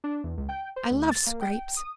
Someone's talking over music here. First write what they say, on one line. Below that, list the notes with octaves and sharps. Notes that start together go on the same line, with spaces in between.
I love scrapes.
D4
E2
C#2
G5
C5
D2
A6
A#3
G5
D#6